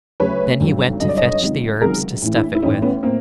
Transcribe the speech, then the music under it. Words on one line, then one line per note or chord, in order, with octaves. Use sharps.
Then he went to fetch the herbs to stuff it with.
D2 C#3 F#3 B4 C#5
G#1 G2 D3 F#3
G#1 G2 D3 F#3 D#5
D5
C#5 D#5
C#2 C3 D#3 F#3
C#2 C3 D#3 F#3 G#4 A#4
A1 A2 E3
D4 E4
E4
A1 A2 E3 C#4 D#4
B3 C#4
A2 A#3 C4